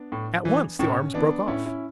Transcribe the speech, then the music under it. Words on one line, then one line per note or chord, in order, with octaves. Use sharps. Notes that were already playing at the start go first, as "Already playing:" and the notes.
At once the arms broke off.
Already playing: B3 D4
A2
E3
A2 C#4
E3 B3 D4
A2 C#4 E4
C#4 E4